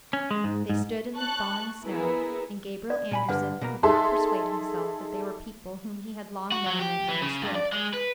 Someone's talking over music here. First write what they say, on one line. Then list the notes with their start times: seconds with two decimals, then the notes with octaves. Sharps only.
They stood in the thawing snow, and Gabriel Andersen could not persuade himself that they were people whom he had long known and understood.
0.13 C#4
0.31 G#3
0.44 G#2
0.69 G#2
1.17 A5 C#6 F#6
1.85 B3 E4 G#4 A#4 B4
2.90 D5
3.11 A#2 G#5 B5
3.29 G2 D3 B4 F#5
3.61 B2 A#3 A#5
3.83 D#4 G#4 A4 E5 A5 C6
6.52 F#4
6.66 F#3
6.79 G4
7.08 E3
7.22 C#3
7.42 G2
7.55 D5
7.73 G#3
7.94 B4